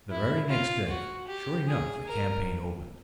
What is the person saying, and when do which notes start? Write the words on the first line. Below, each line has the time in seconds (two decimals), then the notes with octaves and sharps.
The very next day, sure enough, the campaign opened.
0.11 E4
0.50 F4
0.88 F#4
1.28 G4
1.68 G#4
2.07 A#4